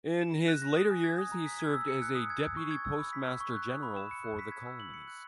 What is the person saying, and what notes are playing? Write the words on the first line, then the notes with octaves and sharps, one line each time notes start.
In his later years he served as Deputy Postmaster General for the Colonies.
E7
A#6
F#6
A#6
D#6
G#5
G#6
D#6
A#5
B6
G#6
E6
C#7
F#6
D#6
G#6
E6
C#6
G#6
E6
B5
B6
E6
C#6
F#6
D#6
B5
E7
C#7
F#6
B6
G#6
E6
F#7
C#7
F#6